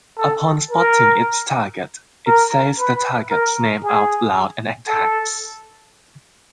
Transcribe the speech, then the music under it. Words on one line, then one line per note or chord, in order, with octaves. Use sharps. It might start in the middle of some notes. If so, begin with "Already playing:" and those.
Upon spotting its target, it says the target's name out loud and attacks.
A4
A#4
A#4
B4
A#4
G#4
A4